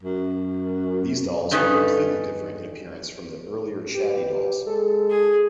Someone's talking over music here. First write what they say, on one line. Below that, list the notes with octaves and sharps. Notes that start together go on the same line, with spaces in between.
These dolls were completely different in appearance from the earlier Chatty dolls.
F#2
G2 C#4 D#4 A4 B4
G4 B4
G#3 A4
G#4